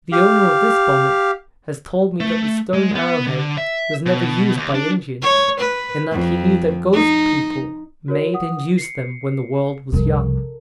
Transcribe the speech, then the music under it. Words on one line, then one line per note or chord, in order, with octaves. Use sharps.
The owner of this bonnet has told me that the stone arrow-head was never used by Indians, and that he knew that ghost-people made and used them when the world was young.
G4 F5
A3
G#3
B3
D3
E5
B2
D#2
D4
C#5
B4
F2
D#4
F#4 A#4 C#5
F#5 D#6
C7 C#7
C2 F2 A4 A#4